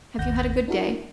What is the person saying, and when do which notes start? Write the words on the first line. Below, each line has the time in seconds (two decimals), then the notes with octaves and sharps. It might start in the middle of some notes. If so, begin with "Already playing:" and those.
"Have you had a good day?"
0.18 G1 D#2 F#5 G6 A#6
0.68 D4 E4 F#4 A#4